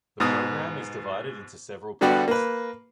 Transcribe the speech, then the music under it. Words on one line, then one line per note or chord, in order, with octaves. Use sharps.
The program is divided into several parts.
G#2 B2 D#6
D3 G3 B3 F#4 G4 D5
A#3 B4